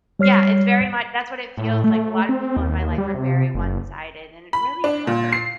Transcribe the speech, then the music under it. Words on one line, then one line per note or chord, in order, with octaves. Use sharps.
Yeah, it's very much that's what it feels like, a lotta people in my life are very one-sided, and it really hurt.
G3 C#5 F6 C7
A2
A3
C4
D#2
G3
C3
F#1
B5
D4
A#2
C7